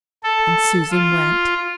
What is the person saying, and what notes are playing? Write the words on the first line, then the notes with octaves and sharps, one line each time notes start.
And Susan went.
A4
F4